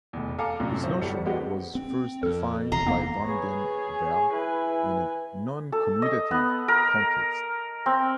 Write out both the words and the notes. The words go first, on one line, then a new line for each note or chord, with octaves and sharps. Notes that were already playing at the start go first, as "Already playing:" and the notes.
This notion was first defined by Van den Bergh in a noncommutative context.
F1 E2
A4 F5 G#5 A#5 D6
A#1 F#2 A2 C3
F#3 E4 C5
G1 G3 A4 C#7
G#3 B3 C4 F#4 G4
C4
F2 A4
F1 E2 A#5 C6
A#3 B3
G#4 B4 C#5
G#5
E4 B4 G#5
A4
D#5
B3
A#4
C4